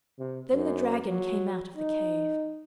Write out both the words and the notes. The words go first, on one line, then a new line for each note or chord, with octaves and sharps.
Then the dragon came out of the cave.
C3
F#2
F#3
D#4